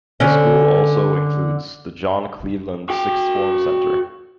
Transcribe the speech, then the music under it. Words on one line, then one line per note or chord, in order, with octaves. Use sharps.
The school also includes the John Cleveland Sixth Form Centre.
D3 C#4
F#4 G5